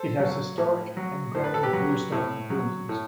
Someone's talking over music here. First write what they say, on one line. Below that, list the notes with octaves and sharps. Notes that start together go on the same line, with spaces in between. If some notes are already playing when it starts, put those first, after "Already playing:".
It has historic and grand bluestone buildings.
Already playing: A4 C5
F#3
A2
F#3
A2 C5
B4
A4
G4 B4
F#3
A2
F#3
A2